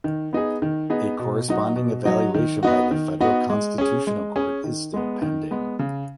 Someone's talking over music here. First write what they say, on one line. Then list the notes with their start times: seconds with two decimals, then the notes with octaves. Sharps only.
A corresponding evaluation by the Federal Constitutional Court is still pending.
0.04 D#3
0.33 B3 D#4 G#4
0.62 D#3
0.90 B3 D#4 G#4
1.19 B2
1.48 F#3 D#4 F#4
1.76 B2
2.05 F#3 D#4 F#4
2.34 D#3
2.63 B3 D#4 F#4
2.91 D#3
3.21 B3 D#4 F#4
3.50 G#3
3.78 C#4 G#4
4.07 G#3
4.36 C#4 G#4
4.64 D#3
4.94 G#3 B3
5.22 D#3
5.51 G#3 B3
5.79 C#3